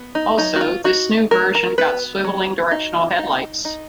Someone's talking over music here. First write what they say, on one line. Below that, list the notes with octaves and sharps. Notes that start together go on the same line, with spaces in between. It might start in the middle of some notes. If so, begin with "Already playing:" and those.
Also, this new version got swivelling directional headlights.
Already playing: B3
D#4
F#3 D#4
F#4
F4
D#4 F#4
F#3 A#4
A#4
B3 B4
F#3
D#4
D#4
D#4